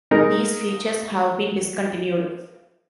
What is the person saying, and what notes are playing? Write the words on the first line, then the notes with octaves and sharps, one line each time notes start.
These features have been discontinued.
G#3 D#4 A#4 D#5